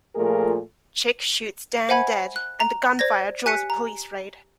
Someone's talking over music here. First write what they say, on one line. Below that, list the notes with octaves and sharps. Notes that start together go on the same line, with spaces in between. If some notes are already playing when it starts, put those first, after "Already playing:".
Chick shoots Dan dead and the gunfire draws a police raid.
A#2 F3 A3 G#4 A#4
C5 E5 F#5 G#5 B5 G#6
F#6
A#5
C5 D5 G#6 A#6
G4 G#5 F#6 B6 C#7 D#7
A#5